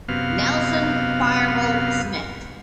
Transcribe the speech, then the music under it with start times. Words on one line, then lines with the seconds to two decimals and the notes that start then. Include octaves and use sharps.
Nelson "Fireball" Smith.
0.08 F#2 C3 B3 F5